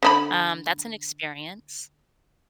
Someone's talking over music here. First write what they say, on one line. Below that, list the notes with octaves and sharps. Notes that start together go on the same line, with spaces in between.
Um, that's an experience."
D3 D4 B5